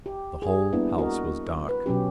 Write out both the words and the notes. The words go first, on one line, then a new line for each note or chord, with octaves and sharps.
The whole house was dark.
G4
G#4
G3 A#3 B3 D4 E4
F#4 A#4 D#5
B4
B2 F#3 C#4 G4